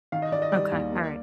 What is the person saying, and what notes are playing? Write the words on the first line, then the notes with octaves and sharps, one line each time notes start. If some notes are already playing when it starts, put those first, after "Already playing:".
Okay, alright.
D#3 F5
D#5
D#3 D5
D#5
G3 D5
D#2
A#3